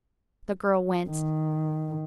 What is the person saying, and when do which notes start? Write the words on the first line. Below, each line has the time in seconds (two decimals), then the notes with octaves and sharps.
The girl winced.
1.10 D#3